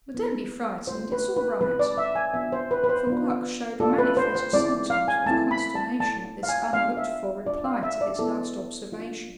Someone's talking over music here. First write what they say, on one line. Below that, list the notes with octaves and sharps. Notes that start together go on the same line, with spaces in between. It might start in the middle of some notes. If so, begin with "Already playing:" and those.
"But don't be frightened; it's all right"--for Gluck showed manifest symptoms of consternation at this unlooked-for reply to his last observation.
B3 E4
A3 C4 F4 C5
B4
B4
G#3 C4 E4 B4
D5
E5
G#5
B3 D4 F4 E5
C5
B4
B4
C5
B3 D4 F4
A3 D4 F4 A4
B4
C5
C5
G#3 C4 E4 D5
F5
G#5
A3 C4 E4 A5
B5
A5
A3 E4 A5
F5
G#5
B3 D4 F4 F5
E5
G#3 D4 F4 D5
F5
E5
D5
B3 E4 A4
A3 D4 F4